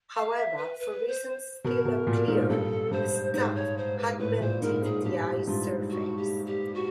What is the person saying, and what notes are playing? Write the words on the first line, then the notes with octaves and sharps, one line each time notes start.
However, for reasons still unclear, the staff had melted the ice surface.
F5
E5
B4
B4
C5
B2 A#4
B2
A#2
G#2
G2 A4
G2 C5
G#2 C5
C#5
C5
B4
A2 B4
A#2 C5
G#2 A#4
G#2 G#4
G2 G4
G2 F4
F#4
G4
G4
F#4